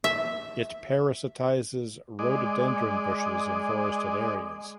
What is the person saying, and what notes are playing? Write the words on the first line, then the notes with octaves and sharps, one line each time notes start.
It parasitizes "Rhododendron" bushes in forested areas.
E5
G#3 D5 D#5